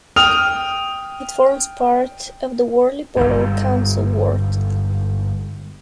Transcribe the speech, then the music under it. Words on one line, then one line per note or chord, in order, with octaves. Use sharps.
It forms part of the Warley borough council ward.
G5 D#6 F6 F7
G1 G#2